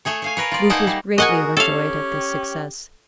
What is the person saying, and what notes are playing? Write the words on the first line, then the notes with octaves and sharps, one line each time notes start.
Booth was greatly overjoyed at this success.
A3 G#4 C#5
C#5 F5 G#5
A#4 B4 C#5
F4 D5
A#3 D#4 G#4 F#5 A5 A#5
G3
F#4 G#4 A#4 D#5 F#5 G#5
C#4 G4 A4 F5